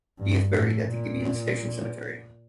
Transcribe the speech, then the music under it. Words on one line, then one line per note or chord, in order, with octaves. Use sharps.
He is buried at the Gibeon Station Cemetery.
G2
A2
A#2